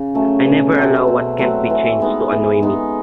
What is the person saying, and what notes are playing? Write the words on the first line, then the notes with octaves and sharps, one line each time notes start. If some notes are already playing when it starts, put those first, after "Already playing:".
I never allow what can't be changed to annoy me.
Already playing: C#3
F#3 A3 C#4
B2
F#3 A3 C4
B2
F#3 A3 C4
E3
G#3 B3 D#4
E3
G#3 B3 D#4